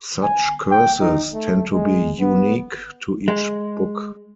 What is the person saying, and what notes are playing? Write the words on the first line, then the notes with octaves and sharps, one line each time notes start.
Such curses tend to be unique to each book.
G#5
G5
D#4
A3
G#3
B3
G#3